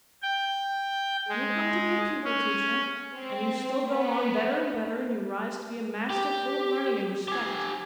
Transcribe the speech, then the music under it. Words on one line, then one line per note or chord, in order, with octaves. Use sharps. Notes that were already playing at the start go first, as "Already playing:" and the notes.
'You come to be a pupil-teacher, and you still go on better and better, and you rise to be a master full of learning and respect.
G5
G#3
C#4
C4
B3
G4
G4 G#5